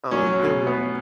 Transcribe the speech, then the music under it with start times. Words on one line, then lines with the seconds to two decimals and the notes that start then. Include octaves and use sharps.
um, there were
0.11 F#3 C#4
0.39 B2
0.67 B3